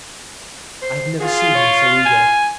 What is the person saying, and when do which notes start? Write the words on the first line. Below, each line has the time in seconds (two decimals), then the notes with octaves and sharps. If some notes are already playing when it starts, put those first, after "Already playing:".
I have never seen him so eager.
0.82 C5
1.20 F4 G#4
1.55 C#5
2.05 G#5